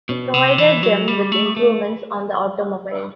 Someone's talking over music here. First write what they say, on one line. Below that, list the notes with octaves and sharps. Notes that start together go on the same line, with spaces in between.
He provided them with improvements on the automobiles.
B2
C3
E3
F#3
G3
A3
A3